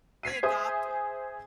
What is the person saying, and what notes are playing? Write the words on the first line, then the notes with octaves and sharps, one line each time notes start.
They adopted.
G#6 B6 C7 D#7
G#4 C5 E5 G#5 D#6